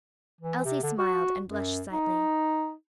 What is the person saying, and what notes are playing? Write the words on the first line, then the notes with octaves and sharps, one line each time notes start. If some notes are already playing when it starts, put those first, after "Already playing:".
Elsie smiled, and blushed slightly.
E3
C3
D3
F#4
F#2
D#4